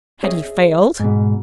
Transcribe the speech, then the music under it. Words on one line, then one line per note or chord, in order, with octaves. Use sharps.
Had he failed?
G#4 C#5 D#5 E5
G#2 B2